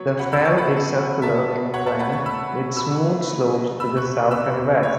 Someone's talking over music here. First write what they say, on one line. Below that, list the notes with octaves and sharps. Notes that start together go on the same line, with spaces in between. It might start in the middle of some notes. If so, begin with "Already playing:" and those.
The fell is circular in plan with smooth slopes to the south and west.
Already playing: F#3 B3 C#5
B2 F#5 B5
B5 E6
B2 A5 C#6
F#5 B5
B3
F#3
B2 E5 A5
B2
B2 C#5 F#5
E5 A5
A3 F#5 B5
A5 C#6
A3 B5 E6
B2
B2 B5 E6
A3
A3
B2
A3 B5 E6
C#6 F#6
B2
E2 B5 E6
E2
A3 C#5